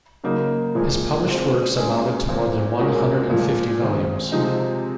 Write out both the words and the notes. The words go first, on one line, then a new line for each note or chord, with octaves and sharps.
His published works amounted to more than one hundred and fifty volumes.
C#3 F#3 A#3 D#4
A#2 F3 G#3
A#2 G#3 C4
G#3 C#4 G#4
A#2 F3 C4
A#2 G#3 C#4 F#4 A#4
A#2 F3 G#3
D#3 G#3 C4
C3 F3 G#3 C4 D#4